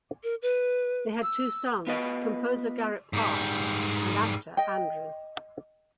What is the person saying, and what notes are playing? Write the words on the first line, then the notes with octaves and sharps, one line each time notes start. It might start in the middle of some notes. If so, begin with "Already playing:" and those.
They had two sons, composer Garrett Parks and actor Andrew.
A#4
B4
E6
B3 F4 B4 D#5
G#2 G3
D#5 G5